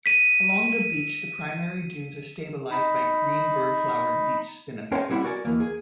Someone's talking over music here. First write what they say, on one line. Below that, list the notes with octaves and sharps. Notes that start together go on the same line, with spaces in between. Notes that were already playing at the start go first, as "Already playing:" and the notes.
Along the beach, the primary dunes are stabilised by green birdflower and beach spinifex.
B6 D#7
D#4 B5
C#4 G#4 A#4 C5 C#5 G5
G3 C4 E4 F#5
F#4 A#4 D5 G#5
D#2 E3 A#3
G#4